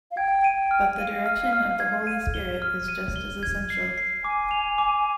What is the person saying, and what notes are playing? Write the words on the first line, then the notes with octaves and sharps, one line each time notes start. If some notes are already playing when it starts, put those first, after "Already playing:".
But the direction of the Holy Spirit is just as essential...
F5
G5 G#6
D#7
G5
F6
F5 D#7
F6
F6
G#6
D#7
G7
F6
D#7
G7
G#6
C7
C7
G#5 D6
F7
D6